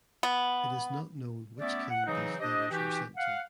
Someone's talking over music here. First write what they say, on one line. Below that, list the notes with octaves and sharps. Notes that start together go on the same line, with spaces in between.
It is not known which king these letters were sent to.
B3
A3 B3 C#4 E4 D5
F#5
C#3 E3 F#3 C4 D#4
D4 G4 C5 D#5
E3 D#4 F#4 G4
F5 F#5